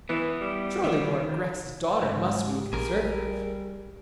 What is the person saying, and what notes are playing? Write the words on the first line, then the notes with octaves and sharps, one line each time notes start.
"Surely Lord Grex's daughter must be a Conservative."
E3 B3 E4
G3
D#3
G#2 C4
G4
A#1 G#4 A#4
G3